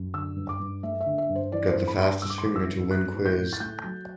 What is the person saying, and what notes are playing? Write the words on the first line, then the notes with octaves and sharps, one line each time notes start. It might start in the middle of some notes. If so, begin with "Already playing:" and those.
Got the fastest finger to win quiz.
Already playing: F#2
D3 E6
G2
D6
G2
A3 E5
E5
D3
E5
G2
C5
E3 D5
C5
G2
B5
G2
C6
G3 E6
D6
C6
E3 D6
E6
G2
F#3 F#6
A2
G6
A2
A6
A3 G6
F#3